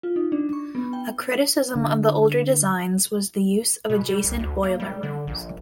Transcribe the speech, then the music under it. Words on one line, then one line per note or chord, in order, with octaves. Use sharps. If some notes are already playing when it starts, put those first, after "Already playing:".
A criticism of the older designs was the use of adjacent boiler rooms.
F4
D#4
D4
C#6
B3
G5
D3
B2
G3
C2
D2
A#3
G3
D3
A#1